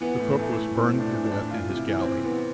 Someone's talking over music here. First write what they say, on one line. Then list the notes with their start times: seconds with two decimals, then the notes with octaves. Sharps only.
The cook was burned to death in his galley.
0.01 E3 B3
0.20 A2
0.39 E3 A3
0.57 A2
0.75 E3 C4
0.94 A2
1.00 D4
1.13 E3
1.25 D4
1.31 A2
1.50 E3 F4
1.69 C3
1.74 E4
1.88 E3
2.00 C4
2.06 C3
2.24 E3 B3